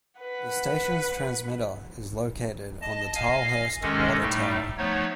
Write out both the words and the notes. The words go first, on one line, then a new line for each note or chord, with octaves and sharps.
The station's transmitter is located on the Tilehurst Water Tower.
B4 F#5
D#5 A5
D#5 F5 G#5
C3 D#3 G#3 C#4 A4 D#5
A2 G3 A3 D#4
F3 A3 B3 D#4 C#5